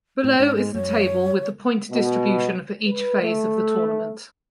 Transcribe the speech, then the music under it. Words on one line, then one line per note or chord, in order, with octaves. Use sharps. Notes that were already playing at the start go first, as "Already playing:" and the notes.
Below is the table with the point distribution for each phase of the tournament.
A2 C4
G#2 D4
G#3
F#2 C#5
B2
B4
A3